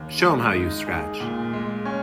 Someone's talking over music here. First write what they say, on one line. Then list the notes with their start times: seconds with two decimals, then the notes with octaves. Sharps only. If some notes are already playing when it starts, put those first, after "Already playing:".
Show 'em how you scratch.
Already playing: D#2
0.20 G#3
0.53 D#4
0.87 G#4
1.20 A#2
1.53 G#3
1.85 C#4